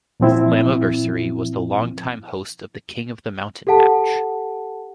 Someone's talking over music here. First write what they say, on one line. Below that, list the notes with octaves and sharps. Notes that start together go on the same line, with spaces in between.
Slammiversary was the longtime host of the King of the Mountain match.
A#2 F3 C4 E4
G4 A4 F#5 A5